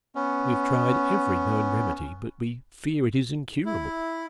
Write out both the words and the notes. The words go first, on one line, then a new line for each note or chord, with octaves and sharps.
We have tried every known remedy but we fear it is incurable.
B3 C#4
E4